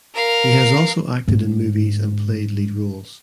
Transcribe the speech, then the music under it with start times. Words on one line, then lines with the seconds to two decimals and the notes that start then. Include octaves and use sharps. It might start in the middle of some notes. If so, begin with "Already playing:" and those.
He has also acted in movies and played lead roles.
0.15 A#4 F5
1.28 G#2 D3